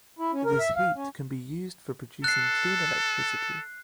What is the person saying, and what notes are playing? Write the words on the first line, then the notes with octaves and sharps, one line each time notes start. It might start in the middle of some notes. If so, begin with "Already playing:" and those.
This heat can be used for producing clean electricity.
E4
C#4
A#4
E5
F5
C#4
A4 F#6 C7